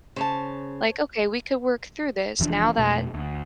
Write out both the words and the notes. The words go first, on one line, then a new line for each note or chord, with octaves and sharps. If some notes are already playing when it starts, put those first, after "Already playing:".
Like, "Okay, we could work through this now that
C#3 C5 C#5 A5
F1 E3 F3 D4
F2 B2 A3
D2